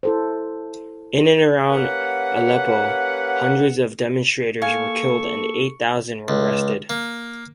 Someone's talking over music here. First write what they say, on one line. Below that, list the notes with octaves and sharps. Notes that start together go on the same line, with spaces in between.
In and around Aleppo, hundreds of demonstrators were killed, and eight thousand were arrested.
E4 A4 C5
A#3 C#4 G4 B4 F#5
A#3 A4 F5 G#5 C#6
C#2
A#3